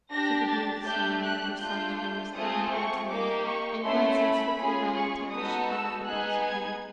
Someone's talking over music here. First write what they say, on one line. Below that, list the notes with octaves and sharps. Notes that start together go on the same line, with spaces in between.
She could hear the sound of her son's voice coming towards them, and glancing swiftly round the terrace, she got up impulsively.
D4 G4 A#6
A6
A3 D4 G4 G6
F#6
A3 D4 F4 G6
G6
A3 C4 F4 G#4 D#6
C#6
A#3 D#4 G4 D6
C#6
A3 C#4 E4 C6
B5
C#4 F4 G#4
C#6
B3 D#4 F#4 A4 D#6
E6
B3 D#4 G#4 F#6
G#6